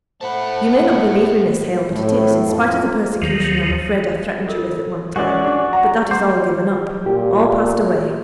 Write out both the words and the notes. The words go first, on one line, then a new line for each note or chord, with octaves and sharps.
You may not believe me, Miss Hale, but it is--in spite of the persecution I'm afraid I threatened you with at one time--but that is all given up; all passed away.
A2 A3 C5 F#5 A5 B5
A2
F2
D#2 D#3 F3 F#3
F4 A4 A#4
G#3 C#4 F#4 A#4 D5
D4 G#4 G#5
F#5 A#5
C5 D6
A#2 G4